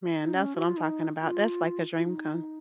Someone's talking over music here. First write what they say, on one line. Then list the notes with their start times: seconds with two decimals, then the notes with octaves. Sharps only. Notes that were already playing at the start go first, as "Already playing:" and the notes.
Man, that's what I'm talking about, that's like a dream come
0.23 D#4
0.34 C#4
0.56 F#4
0.67 F4
0.77 D#4
1.21 F4
1.97 F4
2.06 D#4